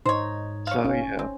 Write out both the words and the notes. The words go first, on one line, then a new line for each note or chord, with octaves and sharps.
so, yeah.
G#2 D#4 C5 C#5
C#5 F5
G1 C#4
C4